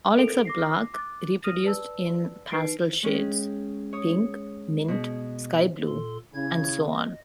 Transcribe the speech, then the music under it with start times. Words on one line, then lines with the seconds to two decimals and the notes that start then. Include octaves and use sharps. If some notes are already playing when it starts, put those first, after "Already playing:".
All except black reproduced in pastel shades: pink, mint, sky blue, and so on.
0.17 A4 A#4 D7 F7
0.45 D6 A#6 C7
0.94 D6 F#6 A6
1.44 D#6 F6 A#6 D#7
1.64 B4 D5 A5 E6
2.51 D#4 B4 C7 D7
3.03 G#3 C#4 G4 G#4
3.93 C#5 D#6
4.88 B2 G#4
5.87 A#2 A4 C6
6.34 C#3 C#4 E4 G#6
6.93 D#5